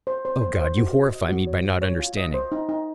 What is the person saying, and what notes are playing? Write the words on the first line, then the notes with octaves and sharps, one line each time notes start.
Oh, God, you horrify me by not understanding!
C5
C5
C5
C5
F#4
C5
D#5
F#4
C#5
F4
C#5
F4
D#5
C5
D#4
D#4